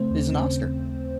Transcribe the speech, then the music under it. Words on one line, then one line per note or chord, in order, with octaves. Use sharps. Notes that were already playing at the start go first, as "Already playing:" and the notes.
He's an oscar.
Already playing: C#3 A3 C4 C5
D#2
C#3